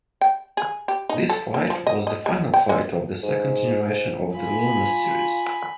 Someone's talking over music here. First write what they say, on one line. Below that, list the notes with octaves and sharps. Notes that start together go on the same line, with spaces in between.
This flight was the final flight of the second generation of the Luna series.
G5
G#4
G4
D#4
A4
A#3
F3
D#5
D#5
G#3
G5
G#3
G#2
F4 G#5 B5